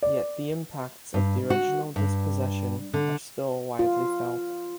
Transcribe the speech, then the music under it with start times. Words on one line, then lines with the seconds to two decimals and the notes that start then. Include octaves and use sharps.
Yet the impacts of the original dispossession are still widely felt.
0.03 D5
1.14 G2
1.50 F#4
1.96 G2
2.94 D3
3.79 F4